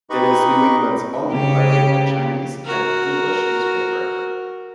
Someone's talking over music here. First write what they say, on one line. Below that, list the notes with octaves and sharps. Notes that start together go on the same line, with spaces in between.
It is New England's only bilingual Chinese and English newspaper.
D#4 G4 B4 D#5 B5 C#6
C#3 G4
F#4 A#4